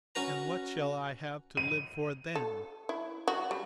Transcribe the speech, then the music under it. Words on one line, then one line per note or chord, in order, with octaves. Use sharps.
And what shall I have to live for then?
C#4 F#4 B4 A#5
D#7
A4
E4
F#4
G3